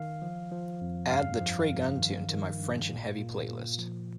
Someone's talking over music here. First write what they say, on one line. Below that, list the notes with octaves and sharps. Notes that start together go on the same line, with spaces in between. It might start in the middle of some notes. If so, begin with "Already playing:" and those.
Add the trey gunn tune to my French N' Heavy playlist.
Already playing: D#3 F5
F3
F3
F2
G2 F5
F3
G2
D#3
D#3
G2
A#2
A#2
A#2
F3